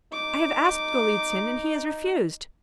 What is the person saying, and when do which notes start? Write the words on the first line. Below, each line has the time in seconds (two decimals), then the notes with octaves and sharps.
I have asked Golitsyn and he has refused.
0.12 D#4 D6